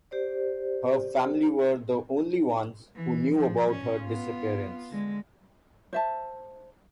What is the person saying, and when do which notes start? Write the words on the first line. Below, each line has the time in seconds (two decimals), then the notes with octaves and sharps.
Her family were the only ones who knew about her disappearance.
0.11 G4 C5 D5
2.96 E3
3.35 F3
3.70 C#4
4.02 B3 F4
4.91 D3 G#3
5.93 C5 E5 A5